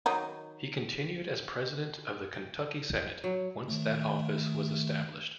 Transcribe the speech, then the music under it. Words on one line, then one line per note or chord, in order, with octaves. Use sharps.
He continued as President of the Kentucky Senate once that office was established.
D#3 F#3 D#4
G5
F#3
D#3 A3